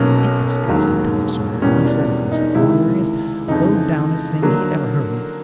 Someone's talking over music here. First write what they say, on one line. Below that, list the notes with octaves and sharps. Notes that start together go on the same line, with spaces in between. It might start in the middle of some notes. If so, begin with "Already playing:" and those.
It disgusted Tom Sawyer, and he said it was the orneriest, low-downest thing he ever heard of.
Already playing: B1 B2 F#3 A#3 C#4
E1 D#2 D#3 F#3
E2 B2 G3 A#3 C#4
D4
D#4
C#2 C3 D#3 G#3 E4
F2 C#3 E3 G#3 D#4
D3 F#3 A#3